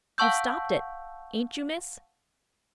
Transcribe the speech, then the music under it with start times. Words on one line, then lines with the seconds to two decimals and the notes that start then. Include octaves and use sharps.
"You've stopped it--ain't you, miss?"
0.18 F5 F#5 A5 C#6 E6 G6